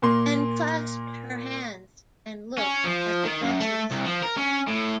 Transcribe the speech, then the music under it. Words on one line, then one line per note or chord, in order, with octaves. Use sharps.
Anne clasped her hands and looked at the dresses.
A#2 A#3 C6
C#4
F3
D#3
F#2
A3
C2
F3
A#4
C#4
A2